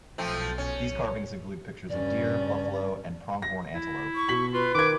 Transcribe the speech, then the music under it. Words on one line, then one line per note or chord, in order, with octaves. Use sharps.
These carvings include pictures of deer, buffalo, and pronghorn antelope.
B1 F3 A3 C4
C#4
G2 C#3 C#4 D5
A#6
E4
C#6
B2 B6 F#7
F4 B4
D#3 D6 G#6